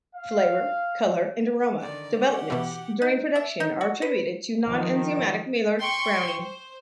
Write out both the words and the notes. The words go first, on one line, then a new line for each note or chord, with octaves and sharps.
Flavor, color, and aroma developments during production are attributed to non-enzymatic Maillard browning.
F5
D3 D#3 D5
G4 F#5
B2 E3
D#4
E5
D#4
F#4
B4
D#3 F3
G5 C6 C#6
C5